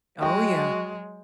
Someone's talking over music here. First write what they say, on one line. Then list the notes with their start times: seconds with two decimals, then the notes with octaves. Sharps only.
Oh, yeah.
0.22 F#3 G#3 F#4 D#5 G5